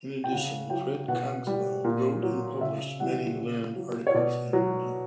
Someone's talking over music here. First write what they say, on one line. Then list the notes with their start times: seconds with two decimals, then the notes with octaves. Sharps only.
In addition, Fred Cogswell wrote and published many learned articles and reviews.
0.24 G5
0.32 C#3 F#5
0.70 F#3 G5
1.08 B2 F#5
1.47 G3
1.85 A#2
2.23 F#3
2.61 C#3 E5
3.00 E3 G3 F#5
3.38 C#3
3.76 F#3
4.07 C#5
4.14 B2 D5
4.53 F#3